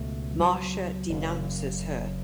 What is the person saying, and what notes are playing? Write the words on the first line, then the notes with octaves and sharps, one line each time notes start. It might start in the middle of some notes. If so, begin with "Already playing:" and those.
Marcia denounces her.
Already playing: C#2 B2 A3
F#3
F#1 F#2 C#3